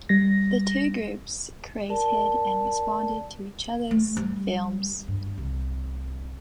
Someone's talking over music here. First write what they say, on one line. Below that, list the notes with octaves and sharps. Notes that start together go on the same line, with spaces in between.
The two groups created and responded to each other's films.
G3 A#6
A#4 D5 A5
A3
G3
G2
C2